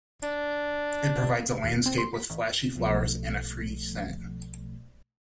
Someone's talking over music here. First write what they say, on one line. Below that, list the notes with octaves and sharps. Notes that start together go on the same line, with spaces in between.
It provides a landscape with flashy flowers and a fruity scent.
D4
D#2
C4
C6
B6
A1
B1 B2 F3 G3 A3